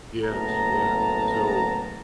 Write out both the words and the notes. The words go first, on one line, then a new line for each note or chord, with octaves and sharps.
Yes, yeah, so,
F#1 A2 B3 A5 A#5